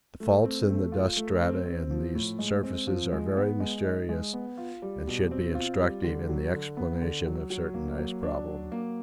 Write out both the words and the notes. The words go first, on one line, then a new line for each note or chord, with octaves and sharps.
The faults in the dust strata in these surfaces are very mysterious and should be instructive in the explanation of certain ice problems.
A3
C4
A3
F4
A3
C4
C4
F3
A2
G#3
C4
F3
G#3
B3
G#3
D#4
G#3
B3
F4
G3
B2
C4
F4
G3
D3
F#3
D3
B3
D3
F#3
F#3
A#3
F#3
D4
F#3
A#3